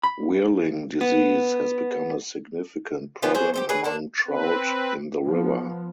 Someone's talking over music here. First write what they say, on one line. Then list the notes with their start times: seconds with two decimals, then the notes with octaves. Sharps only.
Whirling disease has become a significant problem among trout in the river.
0.03 B5
1.01 B3
3.22 F3 B3 C#4 F4
3.34 F#3 G#4 C5
3.54 G4 A4 C5
3.69 G#4 B4 C#5
3.84 A#3 D4
4.27 C4 B4
5.25 F3 B3